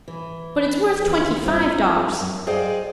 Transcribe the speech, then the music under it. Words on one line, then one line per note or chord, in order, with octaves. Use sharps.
But it's worth twenty-five dollars.
E3
E2 D#3
G2 C4 F4 E5
F#2
G#4 C5 D5 D#5 F5 G5